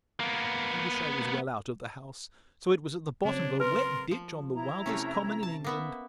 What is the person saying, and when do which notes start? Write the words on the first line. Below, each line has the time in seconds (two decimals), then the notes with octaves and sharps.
I wish I was well out of the house; so it was at the bottom of a wet ditch, on the wildest common in England.
0.20 A#3 B3
3.25 C#3 F#3 C4 D4 C#5
3.60 A#4 B4 C6
4.11 F3
4.54 E4 A#5
4.86 C3 A3 C#4
5.43 A5
5.64 A#3 B3 E5